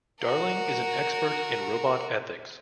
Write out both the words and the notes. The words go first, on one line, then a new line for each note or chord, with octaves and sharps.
Darling is an expert in robot ethics.
F#4 A#4